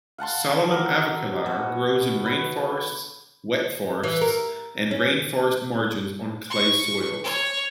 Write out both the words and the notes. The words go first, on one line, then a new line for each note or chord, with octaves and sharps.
"Solanum aviculare" grows in rainforests, wet forests and rainforest margins on clay soils.
F5 F#5 A5 C6
F#3 A#4
B2 C#5
B4
E3
A#4
C#4
C#6
C#5